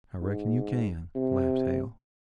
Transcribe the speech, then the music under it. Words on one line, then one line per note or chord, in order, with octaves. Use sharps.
"I reckon you can," laughed Hale.
G#2
C3